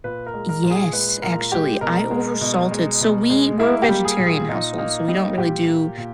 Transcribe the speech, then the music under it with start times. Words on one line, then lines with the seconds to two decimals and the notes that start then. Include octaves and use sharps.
Yes, actually, I over salted. So we were vegetarian household, so we don't really do
0.04 A#2 B4
0.27 A#4
0.34 G#3
0.49 A#4
0.64 A#2
0.71 G#4
0.93 G#3 B4
1.22 A#2 A#4
1.52 G#3 G4
1.81 B2 A#4
2.11 G#3
2.41 B2
2.71 G#3
3.01 B2
3.30 G#3
3.59 A#3 E4
3.82 G4
3.89 G3
4.05 G#4
4.19 A#2
4.26 G#4
4.48 A#2 D#4
4.78 A#3 D#4
5.08 G3 D#4
5.38 A#2 G4
5.67 A#3
5.97 A#2